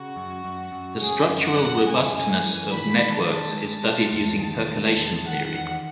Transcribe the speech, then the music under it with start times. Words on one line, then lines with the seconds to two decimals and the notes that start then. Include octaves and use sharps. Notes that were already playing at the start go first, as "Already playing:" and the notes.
The structural robustness of networks is studied using percolation theory.
Already playing: C#3 F#4
0.16 F#2
0.45 F#2
0.72 F#2
1.01 C#3 G#4
1.29 F#2
1.43 F#5
1.57 C#3
1.86 F#2 G#5
2.14 F#2
2.42 E3
2.70 D#3 B5
2.98 D#3
3.13 A5
3.27 G#3
3.55 G#3
3.83 G#3
4.12 E2
4.39 D#3 A5
4.68 G#3
4.96 E2
5.24 D#3 F#5
5.53 E2